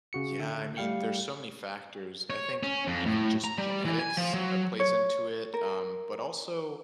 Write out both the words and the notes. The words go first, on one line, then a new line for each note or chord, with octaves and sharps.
Yeah, I mean, there's so many factors. I think even just genetics, uh, plays into it, um, but also,
C#3 F#4 C#7
D3 E5
G3 A3 F5 G5 C#7
C#5
C#4
F2
A2
A#5
G3
E3
G#5
F3
F#3
C#5
A#4